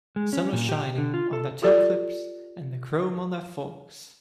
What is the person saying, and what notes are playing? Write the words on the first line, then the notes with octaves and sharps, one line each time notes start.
The sun was shining on their toe-clips and the chrome on their forks.
G#3
C#4
A#2
G4
D3
F4
A4
F4 G4 A4 D5